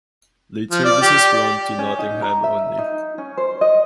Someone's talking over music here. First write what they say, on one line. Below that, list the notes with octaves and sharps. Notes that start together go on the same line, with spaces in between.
Late services run to Nottingham only.
F3
D5
G4
D5
C#4
D#4
A#5
E5
D#4
C#4
C5
D#5